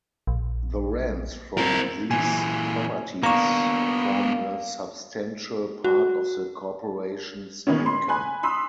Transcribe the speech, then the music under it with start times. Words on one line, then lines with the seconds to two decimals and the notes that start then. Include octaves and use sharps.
The rents from these properties form a substantial part of the corporation's income.
0.27 A#1
1.58 C4 A#4
2.11 A#2 E3 G#5
3.23 A#3 B3 D4 A#5 C#6
5.84 F#4
7.67 D#3 A#3 B3 C#4
7.85 B5 C6
8.09 G#5 B5 F#6
8.43 B5 C6 D#6 E6